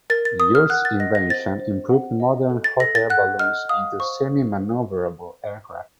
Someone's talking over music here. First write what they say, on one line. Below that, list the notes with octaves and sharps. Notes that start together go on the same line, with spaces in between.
Yost's invention improved modern hot-air balloons into semi-maneuverable aircraft.
A#4 A6
A6
A#4 D#6
F6
F#5 F#6
A6
D#5 A#6
A#6
C5 A6
C5
F#5
D#5
A4
A6
A4 A#6
A6
F#5 F#6
D#5 F6
F5 D#6
C5 C#6